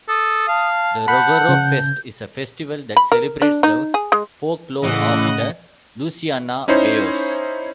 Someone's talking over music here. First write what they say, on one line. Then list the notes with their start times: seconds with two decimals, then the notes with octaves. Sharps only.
The Rougarou Fest is a festival that celebrates the folklore of the Louisiana bayous.
0.08 A4 D#6
0.48 F5 A5
1.08 F#5 B5 G6
1.49 C#3
2.97 B5
3.12 A#4
3.42 D4
3.63 D#4
3.94 G#4
4.12 G#3
4.84 A2 C#3 E3 A3 D#5 F#5
6.68 C#4 D#4 E4 C5 C#5